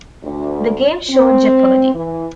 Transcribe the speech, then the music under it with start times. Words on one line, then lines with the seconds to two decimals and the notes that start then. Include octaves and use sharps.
The game show Jeopardy!
0.23 D2
1.09 C4
1.94 E3